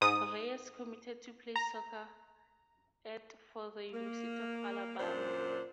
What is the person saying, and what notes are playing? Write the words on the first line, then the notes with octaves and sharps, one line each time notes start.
Reyes committed to play soccer at for the University of Alabama.
G#2 D#6
A#5
A#3
F#2 A#2 D4 C5